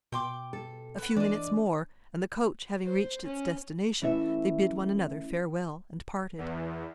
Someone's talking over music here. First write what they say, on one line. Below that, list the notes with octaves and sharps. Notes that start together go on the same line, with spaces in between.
A few minutes more, and the coach having reached its destination, they bid one another farewell, and parted.
B2 G5 C6 D6
A4
B4 F#5
E3 D4 D5 D#5
C5
C#4
E3 A3 C#4 E4 E5
E2